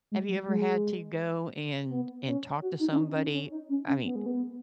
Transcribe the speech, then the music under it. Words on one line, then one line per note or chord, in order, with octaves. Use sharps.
have you ever had to go and and talk to somebody? I mean,
G#3
F#3
G#3
B3
C#4
F#4
D#4
C#4
D#4
C#4
C#4
D#4
C#4
C#4
B3
G#3
B3